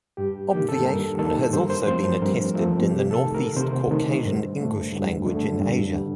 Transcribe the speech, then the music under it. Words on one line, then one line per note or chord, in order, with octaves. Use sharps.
Obviation has also been attested in the Northeast Caucasian Ingush language in Asia.
G2 G4
D#3 A#3 G4
A4
G2 A#4
D#3 A#3 A4
G2 C5
A#4
C5
F3 A3 C4 C5
G2 A#4
F3 A3 C4
C3 G4
A4
D#3 A3
A#4
C3 C5
D#3 A3
G2
D3 A3
G2
D3 A3
G2
D3 G3